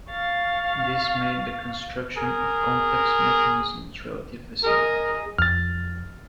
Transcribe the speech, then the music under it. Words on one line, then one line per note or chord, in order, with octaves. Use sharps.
This made the construction of complex mechanisms relatively simple.
F5 C#6 F6 A6
G#4 A#4
G#4 A#4 D#5
F2 F6 A6